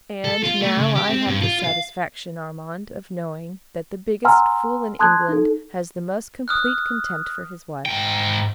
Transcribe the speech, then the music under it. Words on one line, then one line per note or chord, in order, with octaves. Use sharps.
"And now I have the satisfaction, Armand, of knowing that the biggest fool in England has the most complete contempt for his wife."
A4
F4
A3
C#3
G4
C4
G2
F4
F5
F#5 G#5 A#5 C6 E6 F6
A5 C6 D#6 F#6 G#6
D#4 A4
D#6 F6 F#6
G#2 G5